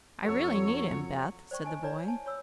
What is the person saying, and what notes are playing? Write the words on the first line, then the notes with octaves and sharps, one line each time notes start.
"I really need him, Beth," said the boy.
F2 F#3 A4 C#5 E6
C5 D5 G5 C#6
C5 D#5 G#5 A5
E4 B4 C#5 D5 A#5
G#5 A5
C#5 B5 E6